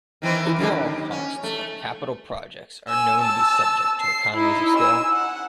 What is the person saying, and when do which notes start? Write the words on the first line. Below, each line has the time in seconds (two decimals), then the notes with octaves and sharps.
Overall costs of capital projects are known to be subject to economies of scale.
0.22 D#3 E3 C4
0.57 F#2 D3 D#3
0.72 D#2
1.11 C#4
1.43 A3
2.89 G#5 E6
3.22 A5 E6
4.01 C7
4.35 D#4 E4
4.76 G#5 E6
5.11 F#5